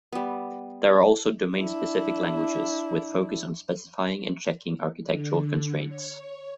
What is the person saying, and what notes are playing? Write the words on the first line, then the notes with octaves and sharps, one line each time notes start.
There are also domain-specific languages with focus on specifying and checking architectural constraints.
G3 B3
D4 E4
D3
C#5